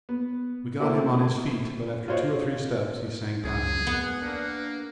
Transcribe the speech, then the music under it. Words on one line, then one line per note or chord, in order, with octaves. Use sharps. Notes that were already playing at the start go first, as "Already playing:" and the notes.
We got him on his feet, but after two or three steps he sank down again.
B3
A3 A#3 C4 E4 F#4
F4 F#4 C5 C#5 D#5
C#2 F#2 G#4
B3 F#5
A#3 D4